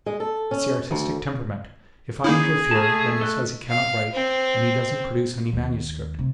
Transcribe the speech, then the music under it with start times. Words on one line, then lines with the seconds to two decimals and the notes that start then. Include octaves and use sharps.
It's the artistic temperament. If I interfere, then he says he cannot write and he doesn't produce any manuscript.
0.06 G#3
0.20 A4
0.51 C#4
0.91 D2
2.24 A#3 C#4 D#4 E4 G#4 D#6 G6
2.71 A3 A5 A#5
3.21 A4 D#5 F#6
3.69 F5
4.13 C4
5.53 D#2
6.19 C3